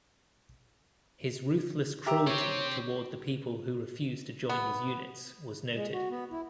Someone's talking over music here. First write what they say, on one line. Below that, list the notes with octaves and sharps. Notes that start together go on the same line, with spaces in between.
His ruthless cruelty toward the people who refused to join his units was noted.
G4 A#4 E5
C4 G4 C#5
B3
G#3
F#4
B3
E4